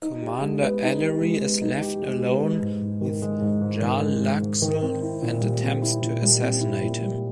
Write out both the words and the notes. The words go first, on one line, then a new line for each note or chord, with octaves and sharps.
Commander Ellery is left alone with Jarlaxle and attempts to assassinate him.
D#4
G4
G#3
B3
D#4
G4
G#3
B3
D#4
G4
G#3
B3
G#3
G#2
G#2
D#3
G#3
G#2
G#2
D#3
G#3
G#2
G#2
D#3
C4
E4
A#2
G3
C4
E4
A#2
G3
C4
E4
A#2
G3